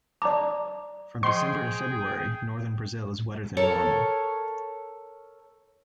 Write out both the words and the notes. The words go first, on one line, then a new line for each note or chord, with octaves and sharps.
From December to February, northern Brazil is wetter than normal.
D5 A5 A#5 D6
F3 G#4 D#5 G5 C6
A4 A#4 C#5